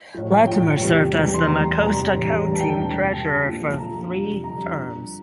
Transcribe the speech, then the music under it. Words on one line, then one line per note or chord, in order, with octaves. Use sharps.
Latimer served as the Mecosta County treasurer for three terms.
A2 F3
A2 F3 G5
E2 C3 G3
E2 E3 G3 G5
C6
E2 E3 G3 A#5
E2 C3 G3 A#5
A2 E3 G3
E2 D3 G3 A#5
A5
G5
A5
E2 C3 E3
G5
G2 D3 G3 A5
A#2 F3
F2 D3 F3 A#5
F2 C3 G3
F2 D3 G3 A#5
G2 F3